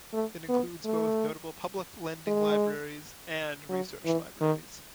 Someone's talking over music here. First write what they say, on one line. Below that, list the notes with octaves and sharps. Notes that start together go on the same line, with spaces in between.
It includes both notable public lending libraries and research libraries.
A3
B3
A3
G#3
F#3
E3
D#3